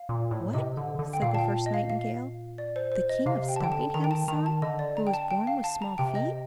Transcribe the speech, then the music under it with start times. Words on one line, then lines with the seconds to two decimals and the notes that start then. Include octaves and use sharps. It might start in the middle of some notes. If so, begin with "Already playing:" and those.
"What!" said the first nightingale--"the King of Stumpinghame's son, who was born with small feet?"
Already playing: F5
0.09 A#2
0.31 A2
0.53 C3 D#5
0.77 D3
0.99 D3
1.13 G5
1.22 A#2 F5
1.35 A5
1.39 G5
1.66 D#5
1.74 F5
1.90 F5
2.58 D5
2.76 C5
2.92 C5
3.09 D#5
3.26 C3 F5
3.48 G5
3.56 A5
3.60 D3 G5
3.72 A5
3.94 D#3 A#5
4.04 G5
4.11 A5
4.28 D#3 A#5
4.46 A5
4.62 D3 D#5
4.79 D5
4.97 A#5
5.07 G5
5.14 A5
5.31 G5
5.47 F5
5.64 A5
5.82 A#5
5.98 C3 G5
6.15 D#5